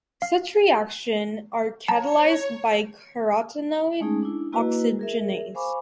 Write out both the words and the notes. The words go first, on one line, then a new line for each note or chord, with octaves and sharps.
Such reaction are catalyzed by carotenoid oxygenase.
F5
C#5 A5 A#5
G#3 A3 C#4 D#4 G#4
D4 E4
A#3 E4 F#4 B4 D#5
G#4 A#4 E5
C5 F5 G#5 B5 C#6 D6